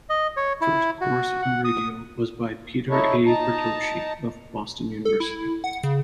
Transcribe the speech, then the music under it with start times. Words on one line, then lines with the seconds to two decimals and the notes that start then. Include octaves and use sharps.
The first course on radio was by Peter A. Bertocci of Boston University.
0.09 D#5
0.37 C#5
0.61 E4
1.01 F#4
1.42 F#5
1.65 D#6
2.88 D#4 E4 A4 C#5
3.26 D#4 A5 A#5
5.05 A4
5.20 E4
5.64 F#5
5.84 C#3